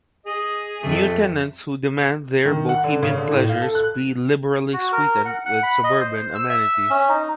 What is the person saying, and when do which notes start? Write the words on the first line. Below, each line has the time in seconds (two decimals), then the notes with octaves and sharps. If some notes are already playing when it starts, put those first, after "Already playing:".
New tenants who demand their bohemian pleasures be liberally sweetened with suburban amenities.
0.26 G#4 D#5
0.82 F2 C3 A3
2.45 D#3
2.69 F#5
2.84 D3
3.03 C#3
3.18 D3
3.31 A2
3.49 F5
3.62 A4
3.75 F#6
4.73 F#4
4.92 A#4
5.25 F#5
5.45 F#5
5.63 B5
5.84 D#5
6.00 C5
6.35 E6
6.49 E5
6.90 C#4
7.09 D#4